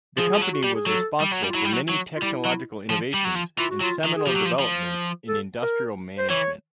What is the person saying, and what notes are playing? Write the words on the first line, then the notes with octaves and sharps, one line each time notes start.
The company was responsible for many technological innovations and seminal developments in industrial management.
F3 G#4
F3
F#3
F#4
G3 G4
G#4
F#3 A4
G3
F#3
G3
F4
F#3 E4
G3
F#3
F#3
F4
G3 E4
F#3
F3
G3
F#3
F3
E3 F4
F#4
F#3 F4
D#3
G#4
F3 G4
F#3
F3
F3
A4
A#4
C5
E3 C#5